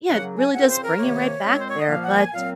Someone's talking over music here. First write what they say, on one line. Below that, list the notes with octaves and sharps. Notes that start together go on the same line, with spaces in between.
yeah, it really does bring you right back there. But,
C#3 F#3 A#3 F#5
G#5
C#3 F3 C4 F#5
A#4
C5
A#4
C3 D#3 A#3 C#5
A#2 G#3 C4
C5
C#5
D#5
A#2 F3 A#3 F5
F#5
G#5
A#2 F#3 C4 F5